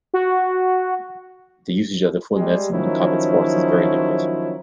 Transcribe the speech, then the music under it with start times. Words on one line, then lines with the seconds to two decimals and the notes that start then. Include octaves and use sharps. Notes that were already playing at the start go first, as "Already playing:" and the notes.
The usage of the full nelson in combat sports is very limited.
0.14 F#4
2.34 G3 G#3
2.71 D#3 F3 F#3 C#4 D#4 E4